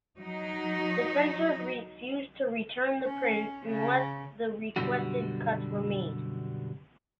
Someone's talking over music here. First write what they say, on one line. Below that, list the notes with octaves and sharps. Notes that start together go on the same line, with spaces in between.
The censors refused to return the print unless the requested cuts were made.
F#3 D#4
C#4
C#3
F#2 B2 D3 G3 F#4